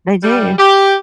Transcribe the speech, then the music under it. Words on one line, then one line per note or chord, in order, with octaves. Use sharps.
They do.
G3
G4